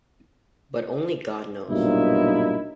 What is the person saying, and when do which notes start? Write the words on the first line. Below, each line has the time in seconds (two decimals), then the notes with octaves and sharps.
But only God knows.
1.69 B1 G2 A#2 D#4 E4